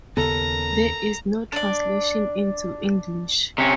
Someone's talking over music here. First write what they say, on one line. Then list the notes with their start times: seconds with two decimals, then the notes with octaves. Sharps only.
There is no translation into English.
0.17 D#2 C#3 B3 A4 A#4 A#5
1.52 D4 D5
3.58 C3 C#4